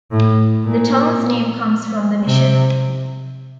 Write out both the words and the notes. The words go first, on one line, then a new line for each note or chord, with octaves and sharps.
The town's name comes from the mission.
A2
A#2
C3